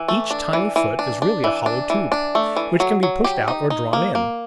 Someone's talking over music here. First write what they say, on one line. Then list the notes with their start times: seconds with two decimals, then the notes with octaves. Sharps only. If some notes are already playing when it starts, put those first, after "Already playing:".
Each tiny foot is really a hollow tube, which can be pushed out or drawn in.
Already playing: E3
0.08 A3
0.31 D4
0.53 E3
0.76 E3
0.99 D4
1.22 D4
1.44 E3
1.66 D4
1.90 E3
2.12 D4
2.35 A3
2.56 E3
2.80 F#3
3.03 F#3
3.24 G4
3.48 D#4
3.70 D#4
3.93 A#3
4.15 A#3